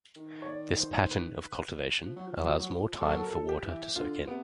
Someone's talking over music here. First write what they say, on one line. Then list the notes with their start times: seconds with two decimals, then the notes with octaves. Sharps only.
This pattern of cultivation allows more time for water to soak in.
0.16 D#3
0.42 C#5
0.48 D5
0.80 C5
1.01 C5
1.11 B4
2.06 F3
2.16 F#3
2.27 F3
2.38 F#3
2.48 F3
2.59 F#3
2.69 F3
3.01 F#3 A4
3.09 A#4
3.16 A4
3.23 A#4
3.31 F3 A4
3.49 G4
3.65 E3
3.96 D3 F4
4.27 C3 B3